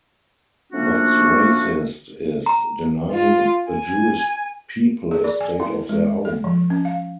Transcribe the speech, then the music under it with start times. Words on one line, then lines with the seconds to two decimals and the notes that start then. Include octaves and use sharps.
What's racist is denying the Jewish people a state of their own.
0.73 F3 A3 A#3 C#4 D4 F#4
2.46 A#5
3.11 F4
3.69 G#5
5.11 G#4
5.24 D5
5.41 G#5
5.60 E4
5.89 G#3
6.25 A4
6.44 F3
6.70 C#4
6.85 F5